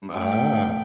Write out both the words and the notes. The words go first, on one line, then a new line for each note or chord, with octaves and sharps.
M ah.
A3 G5